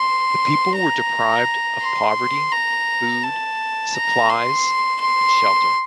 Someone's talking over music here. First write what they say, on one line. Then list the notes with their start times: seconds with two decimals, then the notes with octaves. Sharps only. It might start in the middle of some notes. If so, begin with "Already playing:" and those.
The people were deprived of property, food, supplies and shelter.
Already playing: C6
0.75 A#5
1.81 C6
2.52 A#5
3.23 A5
3.94 A#5
4.30 C6
5.00 C6